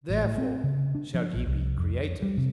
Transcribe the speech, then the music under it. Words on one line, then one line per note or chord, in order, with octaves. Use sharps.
Therefore shall ye be creators!
A1
A2
C4
C#3
D4
F3
A#1
C2
F2
G3
C3